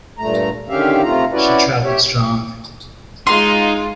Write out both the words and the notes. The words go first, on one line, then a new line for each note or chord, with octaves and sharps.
She travelled strong.
G2 A#2 A3 A#5
D3 D#3 C#4 G4 E5 F5
C3 A3 F4 A#5
C#4 E4 F#4 B4 D5
G4 C#5 E5
G#3 D#4 F4 C6